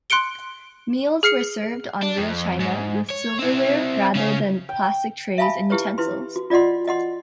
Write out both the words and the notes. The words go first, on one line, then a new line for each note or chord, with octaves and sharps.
Meals were served on real china, with silverware, rather than plastic trays and utensils.
C6 F#6 C#7 D7 G7
G#4 F6 C7 C#7
D4
F2
G#2
C#5
C4 E4
C#3 C#4
G5
E5 F5 G#5 A5 B5
E4 G4 B4 C#5
E4 B4 C6
F#4
F4 D5 D#5 F#5 C6
D#5 F#5 C6